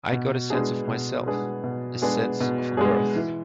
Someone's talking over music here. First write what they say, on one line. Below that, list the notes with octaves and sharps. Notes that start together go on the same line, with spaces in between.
I got a sense of my self - a sense of worth.
B2
G#3 B3 D4 G#4
B2
G#3 B3 D4 G#4
B2
G#3 B3 D4 G#4
B2
G#3 B3 D4 G#4
E3